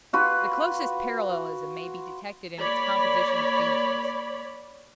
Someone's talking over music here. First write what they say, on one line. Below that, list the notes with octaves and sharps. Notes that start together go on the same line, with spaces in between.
The closest parallelism may be detected in its composition of themes.
F4 F#4 B4
A#3 C#5 D5 B5